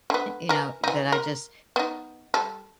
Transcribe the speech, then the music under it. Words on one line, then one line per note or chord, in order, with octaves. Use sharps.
you know, that I just
D3 B3
E3 A#4
E3 D#4
A#4
B3 D#4
G3 A4